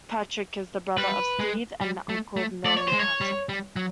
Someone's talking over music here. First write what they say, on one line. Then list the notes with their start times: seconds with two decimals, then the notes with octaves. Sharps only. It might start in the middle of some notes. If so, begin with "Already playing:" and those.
Patrick is the brother of Steve and the uncle of Nolan Patrick.
0.97 G3 B4
1.39 G#3
1.81 G3
2.09 A3
2.37 A3
2.65 A3 D5
2.77 C#5
2.88 G#3 C5
3.00 C#5
3.21 G3
3.49 G3
3.76 F#3